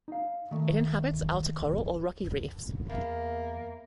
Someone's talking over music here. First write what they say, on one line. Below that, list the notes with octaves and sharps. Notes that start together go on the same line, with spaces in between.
It inhabits outer coral or rocky reefs.
D#4 F5
D#3 A3
E2 A#3